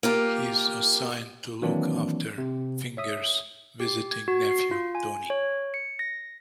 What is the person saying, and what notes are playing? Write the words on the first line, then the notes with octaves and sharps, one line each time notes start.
He is assigned to look after Fingers' visiting nephew, Tony.
A#3 F4 G4
D#3 E3 F#3 A#3 C4 D4
C3
C#5 E5 D#6
G4
G#6
F#4
C7
F4
G#5
C#5
C#7
A#6